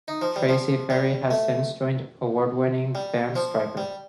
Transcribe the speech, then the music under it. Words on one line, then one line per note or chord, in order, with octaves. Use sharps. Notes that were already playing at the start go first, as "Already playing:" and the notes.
Tracy Ferrie has since joined award-winning band Stryper.
D#4
F3
G3
F3
G3
A3
G3
F3
G3